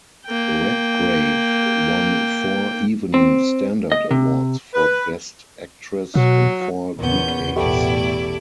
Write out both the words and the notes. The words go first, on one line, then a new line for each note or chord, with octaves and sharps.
Redgrave won four Evening Standard Awards for Best Actress in four decades.
A#3 G5
C4
D#5
C3
B4
B2 F#3
E2 A#2 C#3 B3 C#4 G6
A1 E2 B2 G3 A3 E4 D5